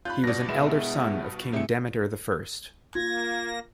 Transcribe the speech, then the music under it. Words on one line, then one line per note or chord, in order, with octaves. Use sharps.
He was an elder son of King Demetre the First.
F4 B5 F#6 G6
G2 B2 D5 A#6
G#3 B3 E4 E7
C3 G#3 A3 E4 C#7
A#3 F4 G#6 A#6